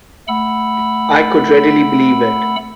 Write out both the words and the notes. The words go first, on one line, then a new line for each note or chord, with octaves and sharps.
I could readily believe it.
A3 F#5 B5 E6